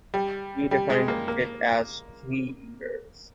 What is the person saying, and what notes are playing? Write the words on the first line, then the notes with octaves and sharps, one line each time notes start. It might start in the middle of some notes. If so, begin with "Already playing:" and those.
He defined it as "tree eaters".
G3
G3
G#3
A#3
A#3